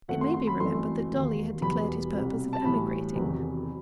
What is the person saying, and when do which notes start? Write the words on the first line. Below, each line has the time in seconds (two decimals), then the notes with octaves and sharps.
It may be remembered that Dolly had declared his purpose of emigrating.
0.08 F#2 D#3 A3 C4 F#5
0.21 C6
0.34 C6
0.47 B5
0.60 G1 F#2 E3 A3 C4 C6
1.10 E1 D#2 D#3 F#3
1.62 E1 E2 B2 G3 B3 B5
2.13 C2 B2 G3 C4
2.53 A5
2.64 B1 A2 E3 G3 B5
3.15 E1 E2 C3 D#3 F#3